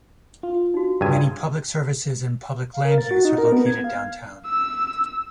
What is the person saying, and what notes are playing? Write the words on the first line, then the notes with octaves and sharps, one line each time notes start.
Many public services and public land use are located downtown.
F4
D#4 F#4
G2 C#3 B4 G#5 C6
F5
A#4
A6
F#4
D#4
A#4
B3
G#6
F5
E6